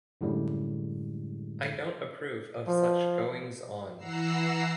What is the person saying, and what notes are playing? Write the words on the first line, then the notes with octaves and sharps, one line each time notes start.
I don’t approve of such goings-on.
F#2 A2 D3 G3 G#3
F3
E3 F#5 A#5 E6 C7